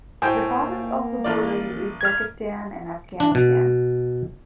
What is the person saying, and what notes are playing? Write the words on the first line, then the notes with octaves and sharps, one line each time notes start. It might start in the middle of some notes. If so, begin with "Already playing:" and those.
The province also borders with Uzbekistan and Afghanistan.
A2 C5 G5 G#5
A#3
A1 F4 D5
F6 G#6
D4
B2